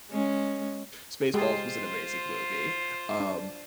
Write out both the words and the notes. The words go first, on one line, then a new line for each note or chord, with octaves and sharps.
Spaceballs was an amazing movie. Um,
G#3 C#4
G#3 F4 G4 G#4 C5
D4